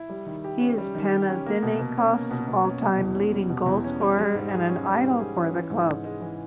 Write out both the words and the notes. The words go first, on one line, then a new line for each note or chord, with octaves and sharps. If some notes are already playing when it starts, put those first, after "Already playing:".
He is Panathinaikos' all-time leading goalscorer and an idol for the club.
Already playing: E4
G3
D#3
G4
C#4
G3
D#3
G4
C#4
A#3
B2
B2
C#4
A#3
B2
B2
C#4
B2
E2
C#4
G3
B2
E2
C#4
G3
G3
G#2
G#4
C#4
G3
G#2
G#4
C#4
E3
G#2
G#2
G#3
E3